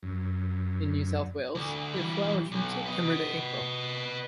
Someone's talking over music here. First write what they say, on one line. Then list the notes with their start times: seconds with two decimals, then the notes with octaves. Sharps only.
In New South Wales it flowers from September to April.
0.03 F#2
1.55 D2
1.94 E3 G3
2.52 B1
2.86 B4 D#5